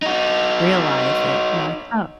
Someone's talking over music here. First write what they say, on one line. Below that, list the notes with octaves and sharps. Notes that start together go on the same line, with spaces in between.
realize it, you know, like, "Oh"
D#4 F#4